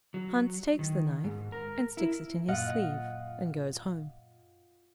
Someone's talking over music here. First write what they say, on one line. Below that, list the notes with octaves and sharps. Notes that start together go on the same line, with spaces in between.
Hans takes the knife, and sticks it in his sleeve, and goes home.
F#3
D#3
G#2
A#4
E4
F#2 A#2 F4 D#5 F#5